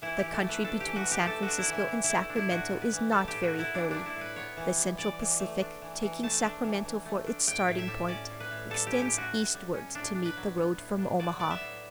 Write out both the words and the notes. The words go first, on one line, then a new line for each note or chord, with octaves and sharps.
The country between San Francisco and Sacramento is not very hilly. The Central Pacific, taking Sacramento for its starting-point, extends eastward to meet the road from Omaha.
E3 E4
E3 G4
A4
A3
B4
D4 A4
E3 G4
F#4
E3
G4
A3 A4
F#4
D4
E4
E3
E4
E3
E4
A3
E4
D4
E4
A2 F#4
B3
B4
E3
G3 A4
G4
A2
F#4
B3
E4
E3 D4
D4
G3
E4
A2
B4
B3 C#5
E3
G3
E3 D5
E3
A3
D4
E3
E3
A3 A5
D4
E3
E3
A3
D4
A2 G5
A2
E5
G3
C#4 D5
A2
B4
A2
G3 A4
C#4 G4
G4
A2 F#4
A2
G3
C#4
A2 D4
D4
B4
F#3
B3
A2
D4
F#3 D5
B3 D5
E5
A2